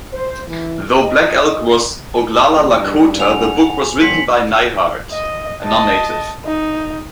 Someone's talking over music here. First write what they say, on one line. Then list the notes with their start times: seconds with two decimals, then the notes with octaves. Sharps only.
Though Black Elk was Oglala Lakota, the book was written by Neihardt, a non-Native.
0.13 C5
0.47 E3
0.98 D#5
2.55 D#1 D#5
2.67 D5
2.80 G2 D#5
3.20 F#5 G#5 F7
4.01 G1 C6 B6 C#7 F#7
5.12 D#5
5.65 D#5 A5
6.45 D#4